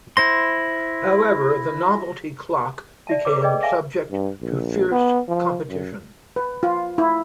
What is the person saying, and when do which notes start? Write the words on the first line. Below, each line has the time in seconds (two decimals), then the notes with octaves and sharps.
However, the novelty clock became subject to fierce competition.
0.17 E4 C5 C6 A#6
3.07 D5 E5 A5
3.25 G#4 A4 B4 C#5 A#5 D6
3.41 G#4 B4 D5 D#5 G5
3.63 E5 F5 G#5 A5
4.11 G2
4.41 A#1
4.92 B3
5.28 F3
5.69 F#2
6.36 B4
6.63 F4
6.98 E4